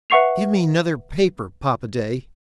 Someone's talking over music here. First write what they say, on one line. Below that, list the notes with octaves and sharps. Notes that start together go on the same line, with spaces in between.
"Give me 'nother paper, Papa-day."
B4 E5 F#5 C#6 C7 F7